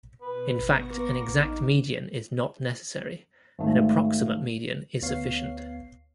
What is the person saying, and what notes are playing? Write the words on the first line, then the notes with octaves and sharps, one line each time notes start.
In fact, an exact median is not necessary - an approximate median is sufficient.
B2 B4
G#1 B3 C#6 A#6
A#3
A1 D#4
G#1 A3
D2 B3 C#5 F5 C7